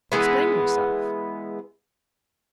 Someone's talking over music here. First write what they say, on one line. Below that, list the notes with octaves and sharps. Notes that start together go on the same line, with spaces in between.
"Explain yourself."
E3 G#3 B3